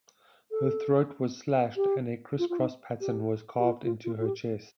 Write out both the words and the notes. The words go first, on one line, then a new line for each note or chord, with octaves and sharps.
Her throat was slashed and a criss-cross pattern was carved into her chest.
A4
G4
F4
F4
D#4
G4
G4
F4
F4
F4
F4
G4